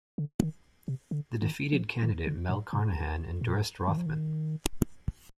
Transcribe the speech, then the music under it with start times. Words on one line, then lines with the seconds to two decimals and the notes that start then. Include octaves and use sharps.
The defeated candidate Mel Carnahan endorsed Rothman.
0.18 D3
0.42 D#3
0.88 C3
1.11 D3
1.42 D#3
1.72 F3
2.03 D#3
2.27 D3
2.49 A#2
2.73 C3
3.41 A#2
3.88 D#3
3.98 F3
4.06 D#3